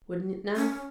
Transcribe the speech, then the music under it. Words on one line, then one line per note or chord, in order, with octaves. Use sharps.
Wouldn't it now?'
C#4